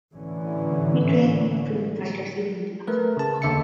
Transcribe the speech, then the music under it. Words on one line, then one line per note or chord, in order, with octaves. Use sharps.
He trained new freedom fighters in India.
A1 D3 E3 C#4
A3 A#4 B4
C#3 A5
D#2 D3 E5 A5 C#7